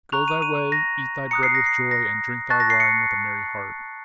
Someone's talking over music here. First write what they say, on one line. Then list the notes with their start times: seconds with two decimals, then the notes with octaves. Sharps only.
Go thy way, eat thy bread with joy, and drink thy wine with a merry heart....
0.12 A#5 C#6 F#6 F7
0.28 D#7
0.42 D#7
0.72 A#6
1.31 A#5 D#6 F#6 C#7
1.43 C7
1.55 A#6
1.66 C7
1.91 A#6
2.50 A5 C#6 F#6 A6
2.60 A#6
2.70 C7
2.80 C#7